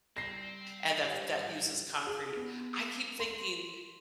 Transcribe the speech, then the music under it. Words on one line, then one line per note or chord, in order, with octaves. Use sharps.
and that that uses concrete. I keep thinking,
G3 C4 A#6 C7
G#2 G4 C5 F5
G#4
B3
C6